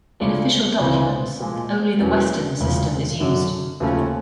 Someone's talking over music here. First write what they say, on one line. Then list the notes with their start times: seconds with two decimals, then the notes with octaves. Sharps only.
In official documents, only the Western system is used.
0.20 D2 C#3 F3 A3 D4
0.80 C#2 C#3 E3 G#3 C4
1.40 A#2 F3 G#3
1.99 E2 B2 F#3 A#3 C#4
2.60 E1 D2 C#3 F3
3.20 F#2 D3 F#3
3.80 D#2 C#3 F3 A3 C#4